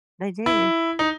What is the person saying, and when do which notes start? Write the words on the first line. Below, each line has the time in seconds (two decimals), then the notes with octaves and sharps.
They do.
0.46 E4
0.99 D#4